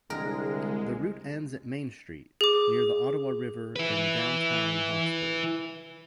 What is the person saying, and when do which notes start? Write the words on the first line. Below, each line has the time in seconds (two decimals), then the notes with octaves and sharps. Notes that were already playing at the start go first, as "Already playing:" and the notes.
The route ends at Main Street, near the Ottawa River in downtown Hawkesbury.
0.10 C2 D3 G#3 A#4
2.41 G#4 D6
3.76 E4 B4